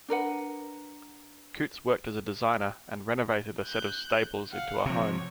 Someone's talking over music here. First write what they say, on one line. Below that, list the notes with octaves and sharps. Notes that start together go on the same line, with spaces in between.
Coutts worked as a designer and renovated a set of stables into a home.
D4 A#4 B4 F#5
F#6 G6
F5 F#5
C3 F3 C#5